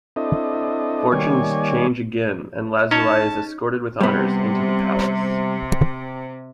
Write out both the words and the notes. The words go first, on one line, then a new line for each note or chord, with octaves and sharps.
Fortunes change again, and Lazuli is escorted with honors into the palace.
C4 D4 E4 A4 D#5
D#3 G3 A#3 C#5 D5 G#5
C#4 D#4 C#5 A5
C3 G3 B3